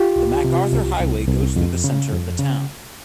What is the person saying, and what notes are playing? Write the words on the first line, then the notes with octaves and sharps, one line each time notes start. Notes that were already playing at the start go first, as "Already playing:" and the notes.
The MacArthur Highway goes through the center of the town.
Already playing: F4 G4
C2
C3
C2
C2
C2
F2
C#3
F2
C#3